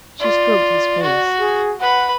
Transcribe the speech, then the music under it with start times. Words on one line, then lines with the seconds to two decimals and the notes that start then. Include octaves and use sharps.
She stroked his face.
0.20 F4 D5
1.02 F#4
1.39 G#4
1.80 B4 F#5 B5